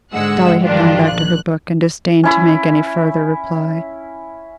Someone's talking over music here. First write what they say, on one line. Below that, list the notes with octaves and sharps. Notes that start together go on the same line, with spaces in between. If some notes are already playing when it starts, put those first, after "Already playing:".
Dolly had gone back to her book, and disdained to make any farther reply.
G#2 D3 G#3 F#5 E6
G2 D#3 F3 D4 F4 G4
A#1 F#6
C#4 E4 B5